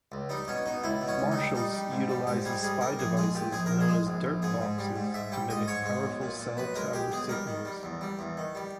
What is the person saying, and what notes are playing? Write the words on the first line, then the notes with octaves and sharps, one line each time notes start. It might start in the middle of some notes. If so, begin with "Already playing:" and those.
Marshals utilizes spy devices, known as "dirtboxes", to mimic powerful cell tower signals.
C#2
G3 D#4
B2 C#4
B2 D#4
C#2 E4
B2
C#4
C#2
D#4
G3
G3 D#4
G3
G#2
G3
G#2 G4
G3 G#4
G3 G#4
G3 A#4
A#1 G#4
G#3 G#4
A#2 G4
A#1 G#4
A#1 A#4
G#4
G#3
A#1
A#1
G#2 G#4
G#2
G3
G#2
G#2 E5
G3 G5
G#2 D#5
G#2 C#5
G#3
B1
A#2
A#2
B1 B4
G#3 A#4
G#3 G4
B1 G#4
G3 A#4
D#3
G3
E2
G3
E2
D#3
G3